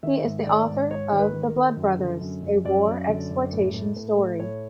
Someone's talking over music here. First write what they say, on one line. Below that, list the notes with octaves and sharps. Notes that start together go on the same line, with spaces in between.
He is the author of "The Blood Brothers", a war exploitation story.
D#3 E5
G#2
D#3 D5
G#2
G#2 C#5
D#3
B4
D#3
A#4
D#3
F#2
D3
F#2
F#2
F#2 D5
F#2
D3
F#2
A2
A2
A2
A2
A2 C#5